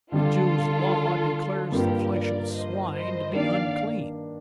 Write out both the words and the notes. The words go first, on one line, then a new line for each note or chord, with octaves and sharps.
The Jews' law declares the flesh of swine to be unclean.
D3 G3 D4 F4 A4
G2 F3 A#3 G4 A#4
A#4 D5
C5 D#5
C5 D#5
D#3 A#3 D4 D5 F5